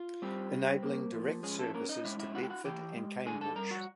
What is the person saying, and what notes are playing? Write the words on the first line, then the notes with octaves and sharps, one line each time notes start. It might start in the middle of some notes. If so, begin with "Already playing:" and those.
Enabling direct services to Bedford and Cambridge.
Already playing: F4
G3 C4 G4
C4
A#3
F3
G#3 C#4 G#4
A3 A4
A#3 C#4 A#4
D#4 D#5
G#3 E4 E5
E4 E5
E4 F#4 F#5
G5
F#4 F#5
E3 G4 G5
G#3
D3 G#4 G#5
A4 A5
G3 A#4 A#5
F#4 F#5